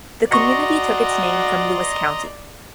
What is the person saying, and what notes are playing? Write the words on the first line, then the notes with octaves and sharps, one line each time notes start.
The community took its name from Lewis County.
F#4 D5 D#5 A#5 C6 C#6 A#6 C#7